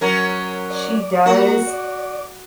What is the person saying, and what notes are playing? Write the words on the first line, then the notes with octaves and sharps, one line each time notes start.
she does,
F#3 C#4 A#4
D5
A#3 F#4 A#4
D5